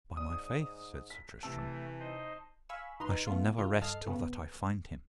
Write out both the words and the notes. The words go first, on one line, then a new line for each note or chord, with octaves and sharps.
By my faith, said Sir Tristram, I shall never rest till that I find him.
G#2 D5 D#6
B6
C3 E3 A3 A5 E6 D7
D#4 C5 D#5
F5 G#5 B5 C#6 E6
D2 D#4 B4 A#5 C6
A3 B3 F4
C#3 F4
G2 A4 D#5 F6 C7
G2 C#3 B3